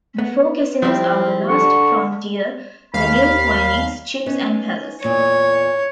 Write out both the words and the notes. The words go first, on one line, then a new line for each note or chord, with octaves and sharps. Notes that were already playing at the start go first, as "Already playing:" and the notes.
The four casinos are the Last Frontier, The New Phoenix, Chips and Palace.
B3
F3 G3 C4 E4
D3 C#6
D#2 F5 B5
B3 C#4 D#4
E2 A#2 C#5 D5